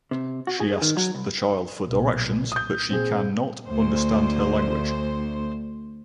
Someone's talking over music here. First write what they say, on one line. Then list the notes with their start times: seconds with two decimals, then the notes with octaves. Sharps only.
She asks the child for directions but she can not understand her language.
0.11 C3
0.47 F#4
0.60 G#4
0.82 D#3
0.97 F#3
1.15 C2
1.86 B1 A#2
2.52 D#6 G6
2.90 A#2 C4 G#4
3.65 D2 C5